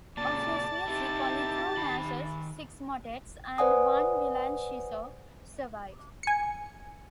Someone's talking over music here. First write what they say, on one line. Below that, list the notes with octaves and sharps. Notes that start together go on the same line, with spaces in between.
Of his music only two masses, six motets and one villancico survive.
A#2 C#3 D5 A5
C3 D#4 E4 G4
D#3 B5
B4 C5 D5 F#5 G#5 D#6
G#5 C#7